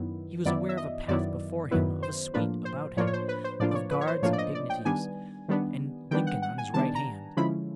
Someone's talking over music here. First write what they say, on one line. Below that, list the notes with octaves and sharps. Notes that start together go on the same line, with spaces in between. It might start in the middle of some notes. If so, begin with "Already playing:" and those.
He was aware of a path before him, of a suite about him, of guards and dignities, and Lincoln on his right hand.
Already playing: F#2 D#3 F#3 B3 E4
F#2 D#3 F#3 B3 E4 D5
E5
D#5
F#2 D#3 F#3 B3 E4 D5
F#2 D#3 F#3 B3 E4 B4
C5
A2 F3 A#3 D4 F4 B4
C5
A2 F3 A#3 D4 F4 C#5
C#5
C5
B4
C5
A2 F3 A#3 D4 F4 D5
D5
C#5
B4
C#5
C5
A2 F3 A#3 D4 F4 C#5
D5
D#5
D5
G5
D#3 G3 B3 D4 G#5
D#3 G3 B3 D4
D#3 G3 B3 D4 G5
F#5
F#5
G#5
D#3 G3 B3 D4 A5
A#5
D3 F3 G#3 C#4 E4 B5